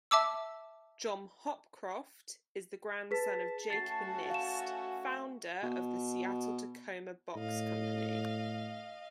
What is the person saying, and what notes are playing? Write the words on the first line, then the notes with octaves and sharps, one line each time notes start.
John Hopcroft is the grandson of Jacob Nist, founder of the Seattle-Tacoma Box Company.
E5 A5 D6 E6
G#4 B4 A5 B6
A3 C#4 F#4 A6 C7
F5 E7
B2
A2 D#5 F5